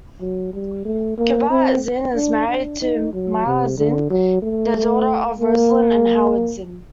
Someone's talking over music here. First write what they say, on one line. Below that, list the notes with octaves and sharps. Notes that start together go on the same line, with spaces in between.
Kabat-Zinn is married to Myla Zinn, the daughter of Roslyn and Howard Zinn.
F#3
G3
A3
A#3
C4
D4
D4
D#4
F#3
C3
D3
F#3
A3
A#3